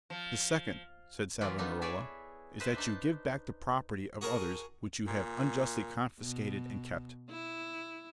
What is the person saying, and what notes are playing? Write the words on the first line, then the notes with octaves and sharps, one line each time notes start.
"The second," said Savonarola, "is that you give back the property of others which you have unjustly confiscated and kept."
F3
E3 A#3 B3 F4 D5
B3 D4 D#4 F4 A4
E4 G#4 B4 C#5 D5 E5
B4 C5 D#5 E5
D4 D#4 A5
F#4 G#4 A#4 A5
A#2
B2
E4